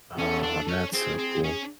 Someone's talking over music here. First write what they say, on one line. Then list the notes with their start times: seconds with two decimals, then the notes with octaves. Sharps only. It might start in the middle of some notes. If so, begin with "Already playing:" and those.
oh, that's so cool.
0.18 C#4 A4
0.43 D4
0.68 C#4
0.94 C4 G#4
1.19 C4
1.44 C#4